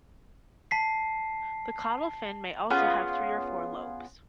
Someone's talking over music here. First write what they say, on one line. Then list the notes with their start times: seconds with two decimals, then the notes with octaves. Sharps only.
The caudal fin may also have three or four lobes.
0.71 A5 B6 C7
2.70 B3 C#4 F4 G#4